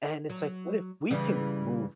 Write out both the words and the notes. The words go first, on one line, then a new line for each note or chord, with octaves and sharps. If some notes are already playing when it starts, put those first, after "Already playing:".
and it's like, "What if we can move"
F#3
C#3 E3 G3